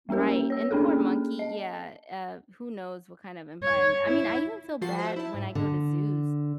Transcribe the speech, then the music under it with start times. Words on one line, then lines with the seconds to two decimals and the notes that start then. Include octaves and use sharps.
Right, and poor monkey, yeah, uh, who knows what kind of environment I mean, I even feel bad when I go to zoos.
0.09 G3 A#3 C#4 G4 A#4
0.50 C#5 E6
0.71 A#3 C#4 D4 G#4 A4
1.39 D#5
3.64 C#5
4.06 E4
4.81 F3 F#4 A4 C7
4.99 C5 E5
5.16 E4 A5
5.34 G#2
5.55 D3